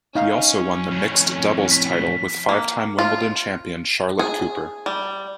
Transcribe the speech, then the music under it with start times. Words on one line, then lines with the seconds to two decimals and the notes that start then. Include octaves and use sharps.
He also won the mixed doubles title with five-time Wimbledon champion Charlotte Cooper.
0.15 C#4 D#4 F5
0.91 F2 A2
1.71 B6
2.49 A#3
2.99 F4
4.19 G#4
4.86 G3